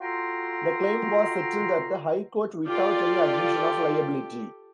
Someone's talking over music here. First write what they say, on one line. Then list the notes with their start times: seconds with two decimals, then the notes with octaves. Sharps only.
The claim was settled at the High Court without any admission of liability.
0.01 F4 F#4 A4 G5 A#5 C6
2.67 F4 G4 A4 D5